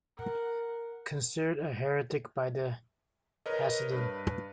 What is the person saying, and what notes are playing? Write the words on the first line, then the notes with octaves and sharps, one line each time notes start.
Considered a heretic by the Hasidim.
A#4 F#5
A#4 B4 C#5 D#5
G2 B4